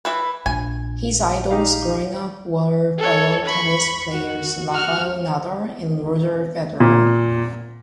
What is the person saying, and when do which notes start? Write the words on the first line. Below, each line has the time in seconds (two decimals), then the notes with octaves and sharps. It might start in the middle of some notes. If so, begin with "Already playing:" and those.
His idols growing up were fellow tennis players Rafael Nadal and Roger Federer.
0.05 E3 E4 B4
0.46 A#1 G#5
1.51 D#4 G4 F5
2.98 A4 C#5
3.45 B5 C#6
4.13 F#4
4.71 F#4 F6
6.80 A#2